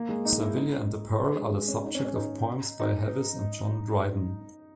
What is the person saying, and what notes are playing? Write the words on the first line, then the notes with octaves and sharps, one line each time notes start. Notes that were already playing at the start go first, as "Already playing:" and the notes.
Servilia and the pearl are the subject of poems by Hafiz and John Dryden.
Already playing: A#3
G#3
D#4
E4
D#4
G#3
G#3
C#4
D#4
C#4
C#4
D#4
D#4